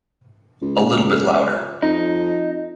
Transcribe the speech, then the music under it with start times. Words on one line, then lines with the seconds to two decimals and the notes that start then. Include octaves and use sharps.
A little bit louder.
0.62 C#2
1.82 F2 D#4